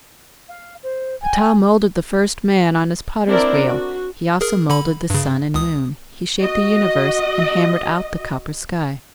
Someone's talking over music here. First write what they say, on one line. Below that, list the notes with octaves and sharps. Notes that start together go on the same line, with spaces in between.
Ptah moulded the first man on his potter's wheel: he also moulded the sun and moon; he shaped the universe and hammered out the copper sky.
F5
C5
G5 G#5
C4 D4 E4 A#4 D5
F#4
G#4 A#4
D3 B5
G2 C#3
C#2 D#6
F#4 D#5